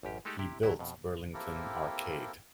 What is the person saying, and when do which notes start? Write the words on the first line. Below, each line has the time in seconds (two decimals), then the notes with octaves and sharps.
He built Burlington Arcade.
0.03 A1 F#2 G4
0.25 G#3 A3 D#4 G4 A4
0.39 C3 E4 G4
0.63 D2 F#3 E4
0.79 F2 B2
1.34 A#3 C4 E4 G4 A4 A#4